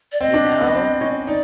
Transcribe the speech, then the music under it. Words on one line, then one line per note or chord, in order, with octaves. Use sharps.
You know?
D5
C4 D#5
D4
B3
C4
C#4
D#4 D5